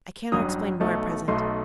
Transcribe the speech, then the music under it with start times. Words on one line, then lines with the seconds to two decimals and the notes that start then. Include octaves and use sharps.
I cannot explain more at present.
0.32 A1 G2 F#3 D#6
0.80 B1 B2 A3 D#4
1.28 B1 B2 A3 D#4 C6